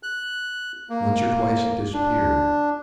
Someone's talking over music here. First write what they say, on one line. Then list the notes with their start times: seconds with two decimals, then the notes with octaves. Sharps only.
Once or twice it disappeared.
0.03 F#6
0.90 A#3
1.94 D4